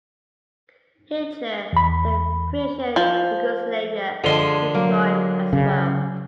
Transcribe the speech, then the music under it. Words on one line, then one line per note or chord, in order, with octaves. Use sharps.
Hitler then pressured Yugoslavia to join as well.
E2 B5
F3
D3 F3 G#3 A4 A5 C6
F#3 A#3
C#3